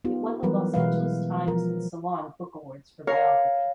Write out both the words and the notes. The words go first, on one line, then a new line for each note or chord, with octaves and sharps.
It won the "Los Angeles Times" and "Salon" Book Awards for Biography.
B3 D#4 F4 G4
E3 F#3 G3 B3 A#4 B4
B2 E3 G#3 B4 E5 F5
F3 A#4
A#4 C#5 F5